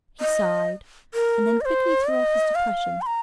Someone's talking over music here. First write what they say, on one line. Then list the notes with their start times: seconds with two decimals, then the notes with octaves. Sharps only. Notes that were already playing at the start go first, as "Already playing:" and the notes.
He sighed, and then quickly threw off his depression.
0.21 D#5
1.14 A#4
1.61 D#5
1.65 C5
2.08 D#5
2.55 F5
3.02 C6
3.06 A#5